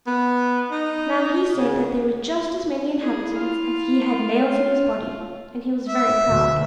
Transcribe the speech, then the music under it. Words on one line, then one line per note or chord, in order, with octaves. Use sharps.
Now he said that there were just as many inhabitants as he had nails in his body; and he was very proud.
B3
D#4
C#3
E4 G#4
F4 F5
C#5
E5
D2 B2